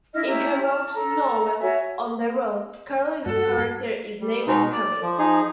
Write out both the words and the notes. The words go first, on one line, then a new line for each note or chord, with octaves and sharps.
In Kerouac's novel "On the Road" Carolyn's character is named "Camille".
D4 E4 D#5 F6
C#4 E4 G4 A#5
A5 F6
A4 A#5
F#4 C#5 E5 G#5
G2 F#4 A4
G3
B2 G#3 D#4
D5
F3
F3 D#4 G#4